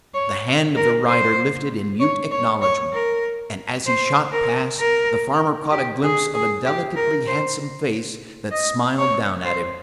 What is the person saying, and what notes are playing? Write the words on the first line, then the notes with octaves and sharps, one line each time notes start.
The hand of the rider lifted in mute acknowledgment, and as he shot past, the farmer caught a glimpse of a delicately handsome face that smiled down at him.
C#5
A#4
C5
C#5
C#5
C#5
A#4
C5
A#4
A#4
G4
G#4
G#4
G4
A#4
C5
D#5
C#5
C5